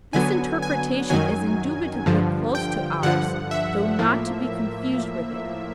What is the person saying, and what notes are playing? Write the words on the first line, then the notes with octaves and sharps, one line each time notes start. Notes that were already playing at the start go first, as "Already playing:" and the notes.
This interpretation is indubitably close to ours, though not to be confused with it.
D3 F#3 B3 G#5
G#5
F#2 D#3 F#3 G#5
G2 D3 F3
G5
G2 D3 F3 F#5
E5
A2 F3 A#3